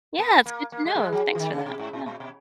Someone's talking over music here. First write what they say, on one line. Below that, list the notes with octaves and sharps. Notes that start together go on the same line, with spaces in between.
Yeah. It's good to know. Thanks for that. Yeah.
B3
A#3
A#3
G#3
A#3
G#3
F#3
E3
D#3
C#3
B2
G#2
A#2
A#2
B2